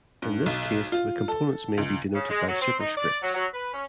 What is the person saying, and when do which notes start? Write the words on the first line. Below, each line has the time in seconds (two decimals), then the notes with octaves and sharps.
In this case, the components may be denoted by superscripts.
0.22 G2
0.46 B1
0.92 F4
1.28 A4
1.77 C#2
2.14 C#3
2.30 G#3
2.47 F#3
2.61 C4
2.79 D#4
2.97 D5
3.22 F#3
3.34 F#3
3.54 B4
3.73 C#4